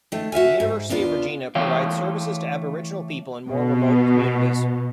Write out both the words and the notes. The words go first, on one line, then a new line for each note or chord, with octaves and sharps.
The University of Regina provides services to Aboriginal people in more remote communities.
D#3 A3
F#4 E5 F5 G#5
G#2
D#2 B3 D4 F4
E3 A3 C#5 F5 G5
B2